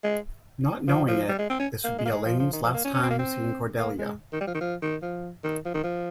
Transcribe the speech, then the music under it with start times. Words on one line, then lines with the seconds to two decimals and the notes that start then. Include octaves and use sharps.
Not knowing it, this would be Elaine's last time seeing Cordelia.
0.04 G#3
0.87 F3
1.08 F3
1.28 G3
1.38 G#3
1.50 C4
1.59 C#4
1.84 A#3
1.98 G#3
2.05 A#3
2.11 G#3
2.25 F3
2.39 F3
2.53 D#3
2.63 F3
2.74 A#3
2.84 C#4
2.94 C#4
3.03 C4
3.10 A#3
3.18 C4
3.78 A#3
3.98 G#3
4.33 D#3
4.41 G3
4.47 F3
4.54 D#3
4.61 F3
4.82 D#3
5.02 F3
5.43 D#3
5.65 F3
5.74 D#3
5.83 F3